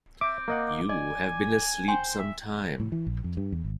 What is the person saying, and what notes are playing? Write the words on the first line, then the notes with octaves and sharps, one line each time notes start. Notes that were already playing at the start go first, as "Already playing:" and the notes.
You have been asleep some time.
C4 E5 D6
A#3 D#5 F#5
D5 D#5 G#5
C5 G5 G#5 C6
E5
A2
E3
A#1
F2
G2
E2
G#1